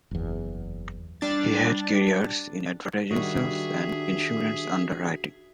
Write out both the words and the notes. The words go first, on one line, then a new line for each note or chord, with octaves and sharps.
He had careers in advertising sales and insurance underwriting.
F#1 E2
G3 D4 A6
D#3 G3 D4 F#4 G#4 E5